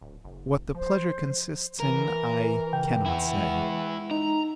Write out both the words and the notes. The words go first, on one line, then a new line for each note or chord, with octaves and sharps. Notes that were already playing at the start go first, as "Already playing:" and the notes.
What the pleasure consists in I cannot say.
D1
F#1
F3 C5
E3 A#4
C#3 G5
E2 E4 F#5
G#3
D#4 A#5